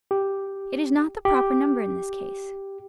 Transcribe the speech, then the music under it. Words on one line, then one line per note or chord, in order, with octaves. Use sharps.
It is not the proper number in this case.
G4
G4